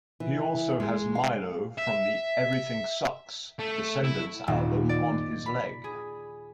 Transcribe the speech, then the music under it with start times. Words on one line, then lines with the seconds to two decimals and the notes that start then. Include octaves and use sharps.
He also has Milo from the "Everything Sucks" Descendents album on his leg.
0.20 E3
0.80 G#3
1.15 F5
1.78 E5
3.59 A3
4.04 E4
4.48 D#1
4.89 D5
5.46 B5
5.84 G#4